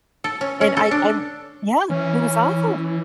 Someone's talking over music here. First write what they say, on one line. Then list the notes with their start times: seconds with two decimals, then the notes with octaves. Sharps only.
And I I'm Yeah, it was awful.
0.24 A4
0.41 C#4
0.61 C#4
0.77 A4
0.91 D4
1.90 E3 C#4